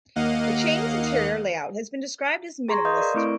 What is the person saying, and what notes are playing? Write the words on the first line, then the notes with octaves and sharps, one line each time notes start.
The chain's interior layout has been described as "minimalist".
D#2 A#3 D#5 F5 F#5
G#4 A#5 C6 C#6 G#6 A#6
D#5 F5 C6 D#6 G6
A#4 B4 D5
A3 C4 E4 C#6 D7